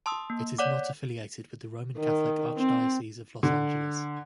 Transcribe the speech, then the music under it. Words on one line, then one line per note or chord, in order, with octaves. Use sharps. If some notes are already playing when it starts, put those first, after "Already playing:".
It is not affiliated with the Roman Catholic Archdiocese of Los Angeles.
A5 C6 D#6 E6
A#3
C#5 D5 F#5 D6
D#3
C4
D3